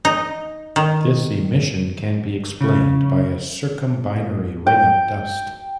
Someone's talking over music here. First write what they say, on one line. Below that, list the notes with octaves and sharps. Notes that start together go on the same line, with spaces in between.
This emission can be explained by a circumbinary ring of dust.
D#4
D#3
C#3
G5